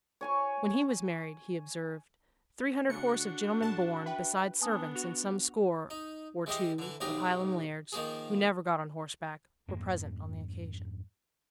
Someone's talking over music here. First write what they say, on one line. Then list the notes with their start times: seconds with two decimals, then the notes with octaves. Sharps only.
'When he was married,' he observed,'three hundred horse of gentlemen born, besides servants, and some score or two of Highland lairds, who never got on horseback, were present on the occasion.'
0.21 C#5 G#5 C#6
2.89 C#3 A3 D4 F#4 C#7
3.61 A2 A3 A5
4.06 B4 E5 G5
4.61 B3 D4 G#5 A5 D#6
4.95 F#4 F7
5.90 D#4
6.46 E3 G#3 G4 D#5
6.78 D3 E3
7.00 B1 G#2 G4 G#4 A#5
7.92 D#3 F3 A#3 G#4
9.68 F2 G#2 G#3 A#3